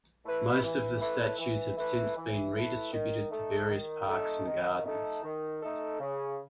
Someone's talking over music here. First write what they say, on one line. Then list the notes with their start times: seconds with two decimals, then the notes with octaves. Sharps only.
Most of the statues have since been redistributed to various parks and gardens.
0.24 A3 E4 B4
0.62 E3
1.00 A3 E4 B4
1.38 E3
1.77 A3 E4 B4
2.16 E3
2.54 A3 E4 B4
2.92 D#3
3.31 A3 D#4 A4
3.68 D#3
4.07 A3 D#4 A4
4.45 D#3
4.83 A3 D#4 A4
5.22 D#3
5.60 A3 D#4 A4
5.99 C#3